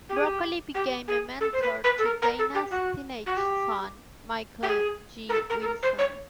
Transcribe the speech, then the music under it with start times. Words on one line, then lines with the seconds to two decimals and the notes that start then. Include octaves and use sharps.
Broccoli became a mentor to Dana's teenage son, Michael G. Wilson.
0.09 G4
0.16 G#4
0.24 G4
0.74 G4
1.07 G#4
1.40 A4
1.52 C5
1.61 B4
1.83 B4
1.98 A4
2.05 A#4
2.21 A#4
2.38 A4
2.54 G4
2.70 F#4
3.26 F#4
3.36 G4
4.62 G4
4.67 G#4
5.29 A#4
5.32 A4
5.49 A#4
5.61 A4
5.65 A#4
5.82 C5
5.98 C#5